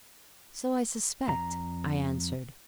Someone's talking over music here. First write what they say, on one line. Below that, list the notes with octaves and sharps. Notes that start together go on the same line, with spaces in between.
'So I suspect,' I answered.
F2 A#5